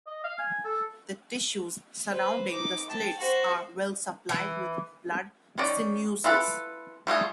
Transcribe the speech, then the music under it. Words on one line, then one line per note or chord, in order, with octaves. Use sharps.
The tissues surrounding the slits are well supplied with blood sinuses.
D#5
F5
G#5
A4
B4 C5
D#4 D6
G5 A5
F#4 C5
E3
D#3 C#4 D5
E4 F4 A4 B4
G3 A3 F4 G#4